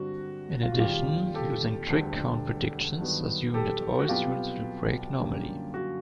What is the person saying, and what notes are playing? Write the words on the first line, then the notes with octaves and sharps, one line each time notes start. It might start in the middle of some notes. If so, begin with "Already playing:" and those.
In addition, losing-trick count predictions assume that all suits will break normally.
Already playing: G2 D3 G3 C4 F#4
F4
F#4
F1 D#2 D#3 G3 F4 G4
G4 A4
E1 D2 D3 G3 B3
G2 D#3 F#3 B3
G4 A4
F#4
C2 B2 F#3 B3 F4 G4
F#2 D3 G3 A#3
F#4